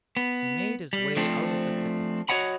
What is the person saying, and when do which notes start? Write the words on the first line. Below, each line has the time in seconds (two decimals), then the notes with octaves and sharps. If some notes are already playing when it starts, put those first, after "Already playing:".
He made his way out of the thicket.
0.17 B3
0.93 G3
1.17 F3 A3 C4 D4
2.29 F#4 C#5 D#5 F#5 B5